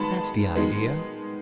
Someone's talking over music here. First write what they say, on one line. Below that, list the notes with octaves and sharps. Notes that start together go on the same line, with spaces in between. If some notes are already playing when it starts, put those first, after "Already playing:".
"That's the idea!"
Already playing: D#3 G#3 B3 A5 B5
D#3 G#3 B3